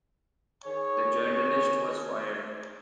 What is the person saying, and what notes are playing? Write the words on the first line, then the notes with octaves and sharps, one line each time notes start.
The journalist was fired.
D#3 G#4 C#5